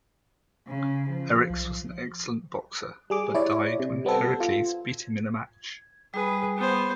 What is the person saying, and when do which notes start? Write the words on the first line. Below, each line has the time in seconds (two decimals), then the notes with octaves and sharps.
Eryx was an excellent boxer but died when Heracles beat him in a match.
0.67 C#3
1.09 F3
1.50 B1
3.10 G3 G#4 D6
3.34 E4 C#5 D5
3.80 C3
4.05 G3 B3 C4 A4
4.40 F4
6.14 G3 G#4 B4
6.57 B3 C5